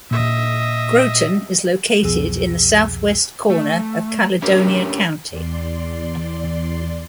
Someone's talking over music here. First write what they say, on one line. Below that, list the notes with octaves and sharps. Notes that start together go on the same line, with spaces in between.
Groton is located in the southwest corner of Caledonia County.
A#2 D#5 E5
C2 F2 B2 F3 G#4 E6
A3
A3 C#4 D4 G4 A#4 B4
E2 D5 C6